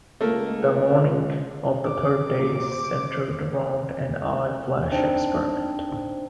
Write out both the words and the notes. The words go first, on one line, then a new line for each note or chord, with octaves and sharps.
The "morning" of the third day centered around an "eye flash" experiment.
C#2 A3 A#3
C4 D4 D6
A#2 F#3
C5
C4 D4 D#4